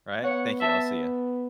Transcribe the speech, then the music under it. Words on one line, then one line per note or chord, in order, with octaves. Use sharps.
Right. Thank you, I'll see ya.
B3 C#5 F#5
E5 A5